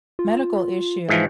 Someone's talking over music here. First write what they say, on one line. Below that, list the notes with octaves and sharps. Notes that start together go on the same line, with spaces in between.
medical issue.
F4
G#2 E3 F3